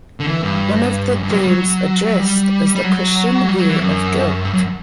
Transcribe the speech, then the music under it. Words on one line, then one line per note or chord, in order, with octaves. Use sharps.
One of the themes addressed is the Christian view of guilt.
D3
E3
G2
F#2
G2
F#3
G3
F#3
G3
G3
F#3
G3
F#3
E3
F#2
G2
F#2